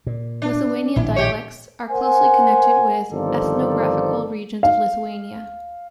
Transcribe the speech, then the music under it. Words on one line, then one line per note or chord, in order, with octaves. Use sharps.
Lithuanian dialects are closely connected with ethnographical regions of Lithuania.
A#2
D4
A#1 A2 D#3 E4
G4 C#5
A#4 C5 F#5 G#5
G1 D#3 F3 C4 A4 D5
F5